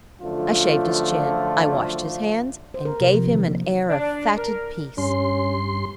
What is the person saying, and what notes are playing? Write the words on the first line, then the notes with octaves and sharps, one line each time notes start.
I shaved his chin, I washed his hands, and gave him an air of fatted peace.
F#2 D3 F3 A3 F4
C5
A#4
C3
F3
D#3
A#3
D4
A#4
G2 C#4 C6